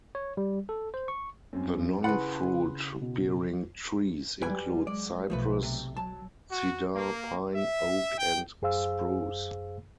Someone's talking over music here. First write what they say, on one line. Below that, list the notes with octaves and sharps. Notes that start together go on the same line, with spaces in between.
The non fruit bearing trees include Cyprus, Cedar, Pine, Oak and spruce.
C#5
G3
A4
C5
C#6
F#2 C4 C#4
C#3 E4 B4 F#5 B5 C6 F#6
B2
F#3 G3 B4 G5 G#5
G#3 D5
B1 F3 A3 B4
C3 A3
F#3 A5
F#4
A#3
E5
G5
F#2 G#4 C5 F5 E6